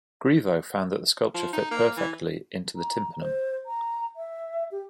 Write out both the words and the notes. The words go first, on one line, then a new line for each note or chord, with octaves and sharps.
Grivot found that the sculpture fit perfectly into the tympanum.
F3
D#4
A#3
E3
A#5
C5
A#5
E5
G4